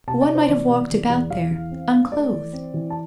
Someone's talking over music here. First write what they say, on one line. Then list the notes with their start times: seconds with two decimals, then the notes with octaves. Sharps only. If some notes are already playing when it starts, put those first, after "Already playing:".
One might have walked about there, unclothed.
0.07 C3 A5
0.21 D5
0.28 C3
0.35 C5
0.48 E3 D5
0.68 C3
0.89 E3
1.10 E2
1.30 E2 F5
1.51 E3
1.71 C4
1.91 G2
2.12 A3 D5
2.33 E3
2.53 C4
2.74 E3
2.90 A5